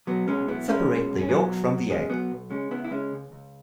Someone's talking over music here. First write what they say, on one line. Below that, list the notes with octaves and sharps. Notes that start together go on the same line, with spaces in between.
Separate the yolk from the egg.
B1 F#3 B3
B2 G#3 C#4
B1 B3 E4
B1 G#3 C#4
B2
B1
C#4
B2 F#3 B3
B1
B2
B2 G#3 C#4
B2 F#3 B3
B1
C#3 G#3 C#4
C#3 B3 E4
E4
C#3 G#3 C#4
C#2
C#2